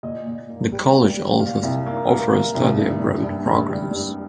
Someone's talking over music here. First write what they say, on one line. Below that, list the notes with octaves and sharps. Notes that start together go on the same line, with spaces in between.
The college also offers study abroad programs.
A#2 D#5
A#2
A#3
G3
A#2
G3
A#2 F5
C2
A#3
A#3
A#3
C2
G2
G2
G2
G2
G3
G2